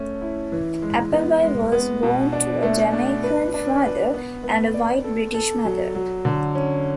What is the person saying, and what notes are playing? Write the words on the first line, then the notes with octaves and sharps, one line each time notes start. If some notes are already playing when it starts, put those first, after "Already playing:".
Appleby was born to a Jamaican father and a white British mother.
Already playing: A3 C#4
E4
E3
G#3
B3
G#3
B3
B2
D4
A3
D4
B4
D4
B4
B3
B3
D5
A4
A4
F#3
F#3
D3
C#4